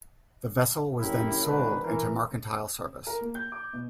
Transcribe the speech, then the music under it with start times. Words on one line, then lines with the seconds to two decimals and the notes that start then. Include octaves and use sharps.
The vessel was then sold into mercantile service.
1.00 A#1 F#2 C#3 E4 G4 A#4
1.46 G#1 G#2 B2 D#3 D4 B4
1.82 E3 A#4
3.07 A#4
3.21 A#3
3.35 G6
3.52 D6
3.73 B2